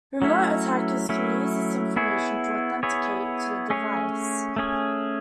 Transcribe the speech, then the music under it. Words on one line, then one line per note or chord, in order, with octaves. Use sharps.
Remote attackers can use this information to authenticate to the device.
F#3 A3 C#4 E4
F#3 A3 C#4 E4
B3 E4 G#4 C#5
B3 E4 G#4 C#5
A3 C#4 G#4 C#5
A3 C#4 G#4 C#5